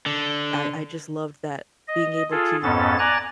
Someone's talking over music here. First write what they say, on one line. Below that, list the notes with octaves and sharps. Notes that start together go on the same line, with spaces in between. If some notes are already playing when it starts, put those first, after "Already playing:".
I I just loved that being able to
D3
D#5
F4 G#4 A4
F2 G#2 B3 C#4 A4 A6
D5 G#5 A#5 F#6 A6